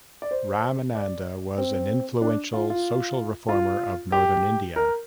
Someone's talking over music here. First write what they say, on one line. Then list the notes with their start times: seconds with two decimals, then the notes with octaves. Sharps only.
Ramananda was an influential social reformer of Northern India.
0.22 D5
0.31 C5
0.95 D5
1.58 C4
2.22 D4
2.53 F4
2.70 F4
3.49 F4
4.12 G4
4.76 A#4